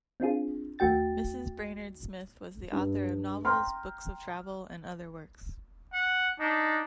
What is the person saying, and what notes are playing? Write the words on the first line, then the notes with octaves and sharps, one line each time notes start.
Mrs. Brainerd Smith was the author of novels, books of travel and other works.
C4 D4 F4 G#4
D#2 A3 F#4 G5 A6
G2
G5 A#5 C6 F6
F#5
D4 D#4